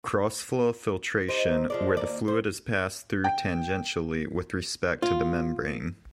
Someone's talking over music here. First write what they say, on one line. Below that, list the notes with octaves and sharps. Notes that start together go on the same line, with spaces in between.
Cross-flow filtration: where the fluid is passed through tangentially with respect to the membrane.
D#4 G4 C5
F3 G#3 D5
D#2 A#3 D5
C5
G5
F4